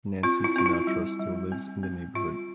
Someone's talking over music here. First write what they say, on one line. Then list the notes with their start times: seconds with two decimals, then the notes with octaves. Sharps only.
Nancy Sinatra still lives in the neighborhood.
0.23 C4 F4
0.44 E4
0.56 C4 F4
0.66 E4
0.87 G3
1.19 G3
1.52 C4
1.83 C4
2.15 G3 F4